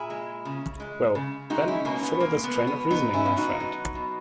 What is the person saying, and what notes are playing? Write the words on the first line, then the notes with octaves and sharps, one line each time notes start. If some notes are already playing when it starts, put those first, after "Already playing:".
Well, then, follow this train of reasoning, my friend!
Already playing: A#2 E4 G#4
G#3
C#3
G#3
C#3
G#3 D#4 F#4
C#4 E4
B2 A#3 C#4
B3
G#3 A#3
B3
B2
B3
F#3 B3 D#4
C#4 E4
B2
D#4 F#4
F#3
B2